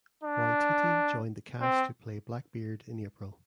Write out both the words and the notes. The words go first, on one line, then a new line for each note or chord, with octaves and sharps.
Waititi joined the cast to play Blackbeard in April.
D4
C4